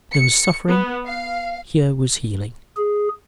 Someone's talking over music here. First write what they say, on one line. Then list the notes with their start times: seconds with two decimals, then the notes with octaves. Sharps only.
There was suffering; here was healing.
0.13 C#7
0.69 B3
1.06 F5
2.77 G#4